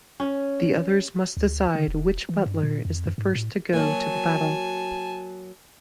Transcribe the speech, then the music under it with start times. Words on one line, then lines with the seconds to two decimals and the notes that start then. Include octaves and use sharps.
The others must decide which Butler is the first to go to the Battle.
0.20 C#4
1.37 D2
1.75 D3
1.88 E1
2.29 E3
2.46 G2
2.63 A#2
2.85 F2
3.06 F#2
3.18 G#2
3.35 A2
3.73 F#3 A#3 G#5 A5